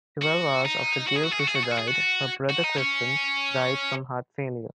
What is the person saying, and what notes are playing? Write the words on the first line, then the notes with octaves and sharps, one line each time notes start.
Twelve hours after Gail Fisher died, her brother Clifton died from heart failure.
F#4
D#4
F#4
G#4
F#4
G#4
F#4
G#4
F#4
G#4
F#4
G#4
F#4
F#4
D#4
C#4